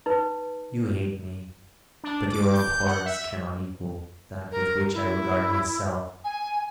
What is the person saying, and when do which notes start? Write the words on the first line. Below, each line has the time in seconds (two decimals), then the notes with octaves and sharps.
You hate me, but your abhorrence cannot equal that with which I regard myself.
0.06 D#4 B4
2.04 D4
2.33 D6
2.54 G6
2.87 F#5
3.06 E5
4.51 A#4
4.93 E4
6.24 G#5